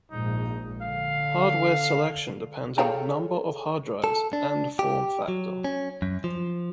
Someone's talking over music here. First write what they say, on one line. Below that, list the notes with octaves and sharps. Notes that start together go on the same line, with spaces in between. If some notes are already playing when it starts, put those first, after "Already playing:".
Hardware selection depends on number of hard drives and form factor.
A#1 G#2 D#4
D3 F5
G#4 A4 C#5 F5 G5 A#5
A4
D4
G4
F#3
C#4
F#2
F3